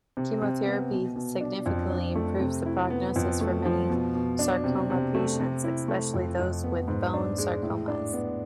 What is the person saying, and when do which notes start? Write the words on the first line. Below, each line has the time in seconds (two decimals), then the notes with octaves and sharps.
Chemotherapy significantly improves the prognosis for many sarcoma patients, especially those with bone sarcomas.
0.17 C3
0.42 C3
0.66 B3
0.91 B2
1.16 B2
1.41 D4
1.66 F2
1.90 D4
2.15 A3
2.40 C3
2.66 E4
2.90 B3
3.16 F2
3.41 A3
3.65 F3
3.90 B2
4.15 B2
4.39 D4
4.64 C3
4.90 C3
5.15 A3
5.40 C3
5.64 E4
5.88 A3
6.14 F2
6.39 F2
6.64 B3
6.88 G#2
7.14 D4
7.38 G#3
7.63 A2
7.88 D4
8.13 B3